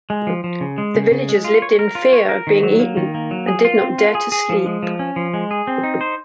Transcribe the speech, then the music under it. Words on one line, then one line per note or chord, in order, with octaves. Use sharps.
The villagers lived in fear of being eaten and did not dare to sleep.
G#3
F3
F3
C#3
G#3
C#3
C#3
G#3
F4
C#5
A#4
F4
C#5
A#4
D#3
F#3
A#3
D#3
A#3
F#3
G#4
F4
C4
F4
G#4
G#4
F3
G#3
F3
C#4
F3
G#3
G#4
C4
D#4
C5